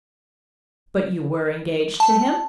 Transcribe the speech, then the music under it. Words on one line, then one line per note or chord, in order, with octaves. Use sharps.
"But you were engaged to him?"
A5